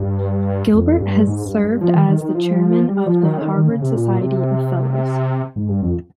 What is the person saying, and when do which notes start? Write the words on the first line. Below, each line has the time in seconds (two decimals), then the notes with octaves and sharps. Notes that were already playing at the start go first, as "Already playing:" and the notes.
Gilbert has served as the chairman of the Harvard Society of Fellows.
Already playing: G2
0.74 F2
1.00 G2
1.27 G#2
1.46 G2
1.64 G2
1.81 F3
1.95 D#3
2.08 D#3
2.21 D#3
2.35 F3
2.88 G3
3.06 F3
3.23 D#3
3.38 C#3
3.41 D#3
3.55 D#3
3.69 C#3
3.82 C3
3.95 A#2
4.21 C3
5.56 G#2
5.69 G2
5.82 F2